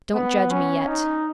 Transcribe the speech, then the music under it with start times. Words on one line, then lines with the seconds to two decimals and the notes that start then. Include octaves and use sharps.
Don't judge me yet!
0.14 B3
0.51 C#4
0.88 D#4